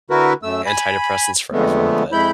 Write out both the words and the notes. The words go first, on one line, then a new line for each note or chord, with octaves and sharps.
antidepressants forever, but,
D3 E4 F#4 A#4 B4
F#2 A3 E6
G#5 B5
F2 D3 G#3 A3 B3
F2 G#3 E4 B5 G6